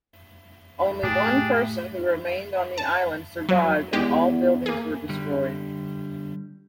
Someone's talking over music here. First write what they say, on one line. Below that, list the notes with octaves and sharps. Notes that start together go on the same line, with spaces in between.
Only one person who remained on the island survived, and all buildings were destroyed.
A2 A3 D4 G4 G#4
A5
F#3
E2 G#3 G4
A#3 G#4
D3 G3